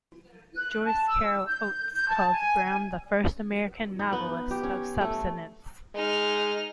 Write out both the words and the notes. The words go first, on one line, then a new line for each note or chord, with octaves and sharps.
Joyce Carol Oates calls Brown "the first American novelist of substance".
F#6
A5
E6
G6
G6
A5
G#5
D#4
B3
G4
C#4
A3
G#3 D#4 F6